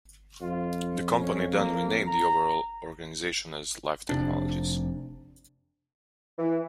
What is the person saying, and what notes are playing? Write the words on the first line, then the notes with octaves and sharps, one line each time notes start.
The company then renamed the overall organization as Life Technologies.
F2 F4
C#4
A#3
A#5
F1 C3 D4
E3